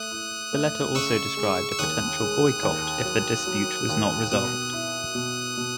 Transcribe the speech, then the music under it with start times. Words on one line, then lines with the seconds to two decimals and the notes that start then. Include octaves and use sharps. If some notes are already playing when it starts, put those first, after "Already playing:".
The letter also described a potential boycott if the dispute was not resolved.
Already playing: A3 D#6 F#6
0.11 E4
0.53 A3
0.95 C#3 C#6 E6
1.37 G#3
1.72 E6
1.79 D#2 D#6 F#6
2.21 G#3
2.63 D#2
3.05 F#3
3.47 F#3
3.89 D#2
4.31 B2 D#6 F#6
4.73 E4
5.15 B2
5.57 B2